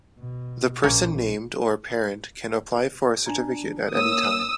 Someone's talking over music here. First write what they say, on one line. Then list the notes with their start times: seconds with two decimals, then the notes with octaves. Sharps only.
The person named or a parent can apply for a certificate at any time.
0.19 B2
0.83 A#1 A#3 C#4
3.26 D4 G#5 A#5
3.94 A#3 A#4 C#5 D#6 E6